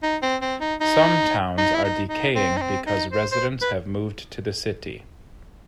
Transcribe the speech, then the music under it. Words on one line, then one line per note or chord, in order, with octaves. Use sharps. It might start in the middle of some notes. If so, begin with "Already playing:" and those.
Some towns are decaying because residents have moved to the city.
D#4
C4
C4
D#4
D#4
D#4
E4
D#4
D#4
C4
D#4
C4
D#4
C5
C5
B4